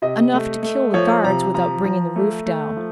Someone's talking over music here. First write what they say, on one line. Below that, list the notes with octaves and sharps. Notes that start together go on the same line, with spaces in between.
Enough to kill the guards without bringing the roof down.
C3 D#5
A3
A3
F3 C#5
C3 A#5
F3 A#5
F3 A#5
A3
A3
F3